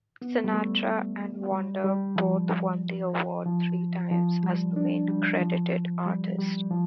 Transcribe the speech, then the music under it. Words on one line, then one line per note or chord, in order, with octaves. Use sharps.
Sinatra and Wonder both won the award three times as the main credited artist.
B3
G3
A3
G3
G3
F3
F3
F3
G3
D4
G3
F3
G3
G3
F3